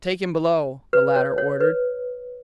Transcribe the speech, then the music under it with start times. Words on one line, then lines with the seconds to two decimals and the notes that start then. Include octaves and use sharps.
"Take him below!" the latter ordered.
0.93 B4
1.16 C#5
1.38 C#5
1.60 B4